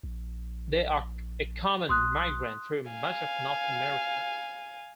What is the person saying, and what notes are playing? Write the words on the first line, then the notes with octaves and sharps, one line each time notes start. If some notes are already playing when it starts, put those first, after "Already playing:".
They are a common migrant through much of North America.
A#1
B1 C6 D#6 F#6
F5 G#5